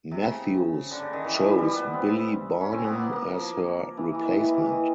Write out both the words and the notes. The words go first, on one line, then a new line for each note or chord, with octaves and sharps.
Matthews chose Billie Barnum as her replacement.
C3
C#3
D3
C#3
D#3
E3
F3
G3
G3
B3
C4
C#4
C4
B3
A#3
A#3
F3
E3
E3
D#3
E3
E3
E3
D#3